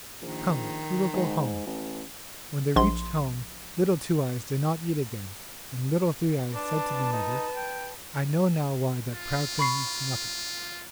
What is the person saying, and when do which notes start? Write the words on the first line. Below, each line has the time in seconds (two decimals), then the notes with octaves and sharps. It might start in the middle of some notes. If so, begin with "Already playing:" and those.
Come, we will go home.' When they reached home, Little Two-eyes did not eat again, and Little Three-eyes said to the mother, 'I know now why that proud thing eats nothing.
0.22 A#1 D#3
1.13 G#2
1.67 A1
2.76 A#1 C6
6.54 D4 B4 A5
7.12 D#4
7.56 G5
9.14 F4
9.59 B5 C#6 C7